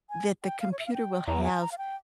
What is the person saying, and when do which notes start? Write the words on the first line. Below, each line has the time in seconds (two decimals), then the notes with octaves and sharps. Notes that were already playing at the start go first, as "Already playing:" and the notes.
that the computer will have
0.10 G#5
0.44 G5
0.60 F5
0.72 C#5
0.79 E5
0.86 F5
0.94 G5
1.27 E2 A#5
1.43 G#5
1.61 A#5
1.72 F5
1.78 G5